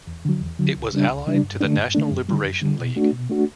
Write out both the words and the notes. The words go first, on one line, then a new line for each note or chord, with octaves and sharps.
It was allied to the National Liberation League.
E2
D3 F#3
E2
D3 F#3
C#2
C#3 G3 D4
C#2
C#3 G3 D4
G2
D3 A3 D4
G2
D3 A3 D4
F#2
D3 G3
F#2
D3 G3
B2
A3 D4 F#4
B2
A3 D4 F#4